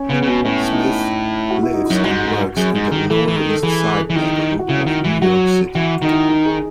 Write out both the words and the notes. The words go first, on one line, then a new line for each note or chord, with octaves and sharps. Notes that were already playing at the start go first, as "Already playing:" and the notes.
Smith lives and works in the Lower East Side neighborhood of New York City.
Already playing: C#4
C#3 B3
C#3
B2 C#4
A2 C#4
D#4
F#4
E4
D#4
F#2 E4
G#2 F#4
F#2 G#4
G#2
D#3
E3 A4
E3
D#3
A4
E3 G#4
E3
D#3 E4
F#4
C#3 E4
D#3
E3
F#3 F#4
E3 F#4
D#3 D#4
E4
D#4
G#4